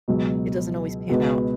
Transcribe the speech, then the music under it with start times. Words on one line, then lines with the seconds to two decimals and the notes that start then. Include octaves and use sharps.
it doesn't always pan out
0.08 C#2 B2 F#3
1.09 C#2 B2 B3 F#4